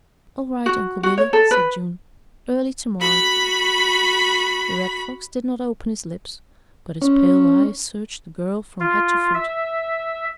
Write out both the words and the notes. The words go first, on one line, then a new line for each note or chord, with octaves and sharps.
"All right, Uncle Billy," said June, "early termorrer." The Red Fox did not open his lips, but his pale eyes searched the girl from head to foot.
F#4
F#4
C#5
A4
B4
F#4 B5
C#4
F4
E5